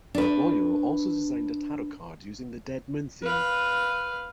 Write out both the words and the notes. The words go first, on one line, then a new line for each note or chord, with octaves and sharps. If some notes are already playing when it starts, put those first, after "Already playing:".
Royo also designed a tarot deck using the "Dead Moon" theme.
D4 B4
B4 F5